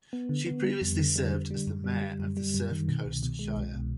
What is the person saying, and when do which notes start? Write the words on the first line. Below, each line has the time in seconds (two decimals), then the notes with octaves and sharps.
She previously served as the mayor of the Surf Coast Shire.
0.13 B3
0.29 D3
0.46 B3
0.64 G3
0.81 F2
0.99 D3
1.16 G3
1.33 D3
1.50 G3
1.67 F#2
1.84 G3
2.01 G3
2.20 F#2
2.37 G3
2.54 F#2
2.72 D#3
2.88 B2
3.05 C2
3.23 B2
3.39 G#3
3.58 C2
3.75 B2